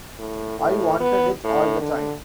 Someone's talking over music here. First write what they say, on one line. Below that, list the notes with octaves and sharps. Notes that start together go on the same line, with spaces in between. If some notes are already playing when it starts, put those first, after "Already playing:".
I wanted it all the time.
A2
A2
B3
A2
D3